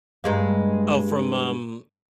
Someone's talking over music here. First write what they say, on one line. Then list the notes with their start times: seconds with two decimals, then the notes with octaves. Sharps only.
Oh, from, um
0.24 G2 G#3 A#3